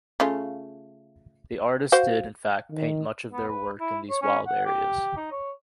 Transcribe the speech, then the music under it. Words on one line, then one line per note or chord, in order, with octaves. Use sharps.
The artists did, in fact, paint much of their work in these wild areas.
C#3 A3 F4
F#4 C5 F5
D#3
B3
B4
E4
C#5
C#4
F#5
G4
D#4
C#5